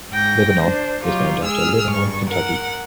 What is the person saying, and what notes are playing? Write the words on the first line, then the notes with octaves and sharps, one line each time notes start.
Lebanon is named after Lebanon, Kentucky.
G#2 G5 A#6
D4 C5
F#3 D#4 F4 G4
G#3 G#4 E6 F6
G2 C#6
A#4 F#5